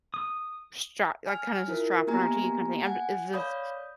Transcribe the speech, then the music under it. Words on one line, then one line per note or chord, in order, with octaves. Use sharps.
strap like, kinda has a strap, an RT kinda thing. I'm is this
D#6
G#5 F6
E4 F4 A#4
A#3 B3 G4 G#5 A#5
F#5 G#5
C#5 D5 F5 B5 D#6 G6